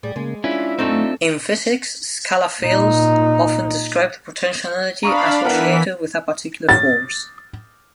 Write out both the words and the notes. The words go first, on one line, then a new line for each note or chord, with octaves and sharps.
In physics, scalar fields often describe the potential energy associated with a particular force.
A2 G3 G#4
C#3 G#3 A#3
C#4 D4 E4 F4 B4 E5
F#2 A3 C4 D#4 A4 C5
A#2 D#4
D4 F5 A#5 B5 C#6 D#6
E3 B3 A#4 F#5 B6
A6